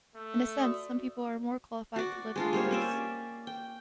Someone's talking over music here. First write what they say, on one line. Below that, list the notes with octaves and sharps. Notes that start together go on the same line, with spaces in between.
In essence, some people are more qualified to live than others.
A3
F#4 D5 D#6
F#4 D5
G#3 D4 F4
G3 A#3 C5 C#5
C#4 D5 E5
G5